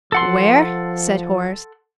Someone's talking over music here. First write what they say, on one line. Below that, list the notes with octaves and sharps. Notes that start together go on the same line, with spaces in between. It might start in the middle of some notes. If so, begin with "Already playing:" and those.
"Where?" said Horace.
F3 A4 F#5 C6